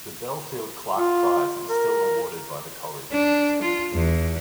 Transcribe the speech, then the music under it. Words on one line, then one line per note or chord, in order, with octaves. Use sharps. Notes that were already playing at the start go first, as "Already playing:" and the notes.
The Belfield Clarke Prize is still awarded by the college.
F4
A#4
D4
F4
E2